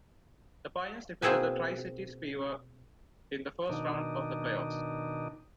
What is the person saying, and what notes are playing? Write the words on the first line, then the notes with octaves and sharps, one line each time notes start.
The Pioneers defeated the Tri-Cities Fever in the first round of the playoffs.
B2 A#3 C4 E4 G#4 B4
B2 D#3 D4 D#4